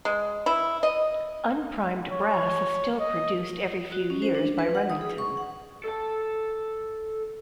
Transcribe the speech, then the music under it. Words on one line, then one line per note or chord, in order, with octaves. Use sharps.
Unprimed brass is still produced every few years by Remington.
G#3
E4
D#5
C#5
D#5
F#4
C#4
C5
D4
B4
F#5
D#6
G#4
C#6
F#5
A4 A5